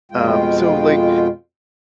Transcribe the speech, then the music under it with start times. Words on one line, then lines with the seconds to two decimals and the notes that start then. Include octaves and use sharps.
um, so, like,
0.12 F2 B2 G#3 F4 G5